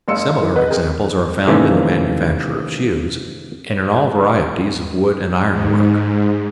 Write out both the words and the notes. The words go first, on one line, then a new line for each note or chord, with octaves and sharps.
Similar examples are found in the manufacture of shoes, and in all varieties of wood- and iron-work.
F#1 G#3 F5 C6 E6 C#7
E3
B4 D#5 F#5
C4 G#4 A#4
C3 D#3 E3 A3 A#3 C#4
G#2